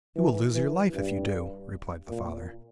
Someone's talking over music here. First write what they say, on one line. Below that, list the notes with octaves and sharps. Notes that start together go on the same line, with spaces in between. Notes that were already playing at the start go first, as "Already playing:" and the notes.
'You will lose your life if you do,' replied the father.
E3
E3
G2
A#2